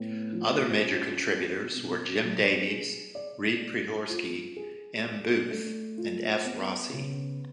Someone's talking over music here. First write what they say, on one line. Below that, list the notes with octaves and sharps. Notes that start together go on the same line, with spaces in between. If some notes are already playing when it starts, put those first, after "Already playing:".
Other major contributors were Jim Davies, Reid Priedhorsky, M. Booth, and F. Rossi.
Already playing: A2 B3
F3
C#4
G#4
B2
F#3
G#4
D5
A3
F4
G#4
D5
A3
F4
B3
C#3